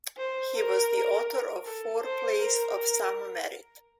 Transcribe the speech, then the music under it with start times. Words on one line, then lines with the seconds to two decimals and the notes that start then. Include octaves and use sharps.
He was the author of four plays of some merit.
0.17 C5
0.54 A#4
1.65 A4
2.02 C5
2.39 A#4
2.76 A#4